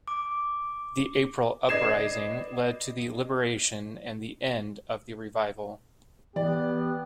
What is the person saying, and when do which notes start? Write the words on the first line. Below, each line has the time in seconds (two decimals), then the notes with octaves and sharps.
The April Uprising led to the liberation and the end of the Revival.
0.08 D6
1.69 B4 D5 D#5 G#6 C7 E7
6.36 E3 B3 G4 D5